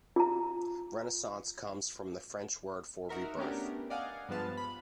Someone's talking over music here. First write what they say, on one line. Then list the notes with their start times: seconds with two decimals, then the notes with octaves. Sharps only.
Renaissance comes from the French word for rebirth.
0.16 F4 A#5
3.09 D#4 F#4 A#4 E5
3.37 A3 B3 C#4 D4 G4 A#4
3.90 D5 D#5 F5 F#5 G#5
4.29 G2 F3 G#3 B3 A5 F6
4.57 B5